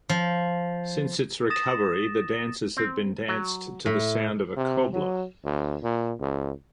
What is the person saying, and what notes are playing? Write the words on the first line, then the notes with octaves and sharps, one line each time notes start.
Since its recovery, the dances have been danced to the sound of a cobla.
F3
D#6 A6 A#6 E7
C4
F#3
A2 E5
C3
F#3
D2
A#2
C#2